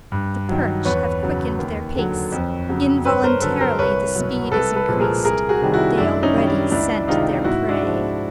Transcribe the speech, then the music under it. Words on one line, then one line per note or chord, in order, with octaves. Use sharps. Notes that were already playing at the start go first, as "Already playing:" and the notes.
The perch have quickened their pace; involuntarily the speed is increased; they already scent their prey.
G2
D#3 F#3
E2 B4 C#5
C#3 F#3
D#2
D3 F#3
F2
C#3 F#3
G2 B4 C#5
A#4 C5
D3 F#3 A4 B4
A#4 C5
C2 B4 C#5
B2 F#3
C2 A4 B4
A4 B4
A#2 F3 G#3
G#4 A#4
C2 G#4 A#4
F#4 G#4
C3 D#3 G3
E4 F#4
F#2 D4 E4
C#4 D#4
D#3 G3
D4
C#2 D4 E4
C3 D#3 G#3 D#4 F4
G#2 E4 F#4
D4 E4
F3 G#3